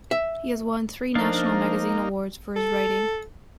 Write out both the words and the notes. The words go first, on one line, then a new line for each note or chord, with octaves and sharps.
He has won three National Magazine Awards for his writing.
E5
F3 A#3 D4 D#4 A#4 F5
A4